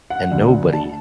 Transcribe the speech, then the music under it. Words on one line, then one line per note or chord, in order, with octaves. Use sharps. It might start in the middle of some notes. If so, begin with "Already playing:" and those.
And nobody
F#5
D2 D3
A5